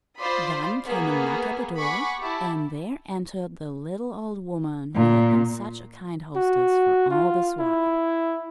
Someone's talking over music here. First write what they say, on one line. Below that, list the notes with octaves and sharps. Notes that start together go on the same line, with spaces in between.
Then came a knock at the door, and there entered the little old woman, who had been such a kind hostess for all this while.
F4 C5 D5 B5 C6 D#6
A#3 B3 G#4 B4
F#5 G#5 B5 C#6 D6
E4 G4 A5
A#2
F#4
F4
E4